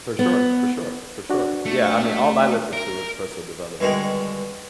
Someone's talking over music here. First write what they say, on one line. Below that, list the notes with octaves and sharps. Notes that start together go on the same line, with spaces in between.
For sure, for sure, for sure. Yeah, I mean, all I listen to is personal development.
B3
D4 F#4 D5
A3
A#4
G2 B2 D3 D#3 G#3